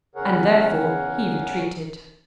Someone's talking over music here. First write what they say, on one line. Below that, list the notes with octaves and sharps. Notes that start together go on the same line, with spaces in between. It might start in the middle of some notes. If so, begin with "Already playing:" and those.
And therefore he retreated.
E2 C#3 G#4 A#4 C#5 F#5